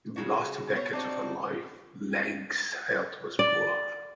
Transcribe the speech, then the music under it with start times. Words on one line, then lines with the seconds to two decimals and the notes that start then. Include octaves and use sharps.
In the last two decades of her life, Lange's health was poor.
0.16 C#3 G#3 F#4
0.75 B3 C5 C#5
0.93 C4 D4 D#4 F#4
3.39 D5